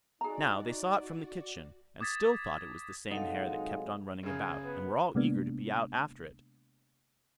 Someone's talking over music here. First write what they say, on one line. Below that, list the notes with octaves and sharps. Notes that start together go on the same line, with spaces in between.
Now, they saw it from the kitchen, and still thought it was the same hare that kept on running about, and were all eager to be out after it.
D#4 F#4 G#4 D5 A#5
D6 D#6 G#6 A6 B6
C3 F#3 G#3 D#4 A4 F5 F#5
F#2 C#3 G#4
B3
C3 G#3 A#3 B3 D4